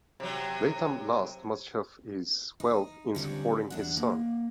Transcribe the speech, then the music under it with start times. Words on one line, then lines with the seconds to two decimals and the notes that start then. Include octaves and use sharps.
Latham lost much of his wealth in supporting his son.
0.20 C3 F#3
2.60 D#4
3.15 D3 G3 C4 C#4
3.70 E2 D4 F#5
3.97 A#3